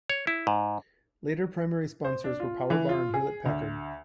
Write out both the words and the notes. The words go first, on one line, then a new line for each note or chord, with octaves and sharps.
Later primary sponsors were PowerBar and Hewlett-Packard.
C#5
E4
G#2
C5
D4
F4
E3
F4
G#4
D2